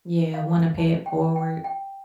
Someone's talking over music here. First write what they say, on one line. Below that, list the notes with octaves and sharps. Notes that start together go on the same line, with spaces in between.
Yeah, wanna pay it forward.
F5
A5
G5
G5
G5